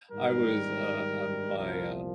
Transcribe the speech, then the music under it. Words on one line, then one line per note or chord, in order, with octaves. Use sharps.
I was, uh, uh, my uh,
G#2 D#3 G3 A#4
C2 A#2 F3 A#4